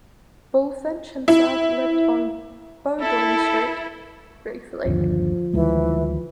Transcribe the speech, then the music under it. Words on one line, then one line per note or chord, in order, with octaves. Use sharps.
Bulfinch himself lived on Bowdoin Street, briefly.
E4
E4 A4
G1 D#2 D3 F3
D2 D#3 E3 G#3